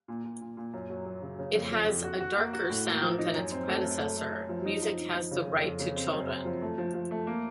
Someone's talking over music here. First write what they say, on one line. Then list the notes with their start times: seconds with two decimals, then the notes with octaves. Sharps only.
It has a darker sound than its predecessor, "Music Has the Right to Children".
0.08 A#2
0.24 A#2
0.41 A#2
0.57 A#2
0.73 F#2
0.90 F#3
1.06 F#3
1.22 C#3
1.39 C#3
1.55 F2
1.71 F3
1.88 F2
2.04 F#4
2.20 F#4
2.37 A#3
2.53 F#4
2.70 A2
2.86 A#3
3.02 F3
3.18 D#4
3.35 F#2
3.51 C4
3.68 A3
3.84 F#2
4.00 A3
4.16 A3
4.33 F#2
4.49 F3
4.66 D#4
4.82 F3
4.98 D#4
5.15 F3
5.31 C#3
5.47 F2
5.64 F2
5.80 C#3
5.96 C4
6.13 F#2
6.29 C4
6.45 F3
6.62 A3
6.78 F3
6.94 F3
7.11 A3
7.27 A#3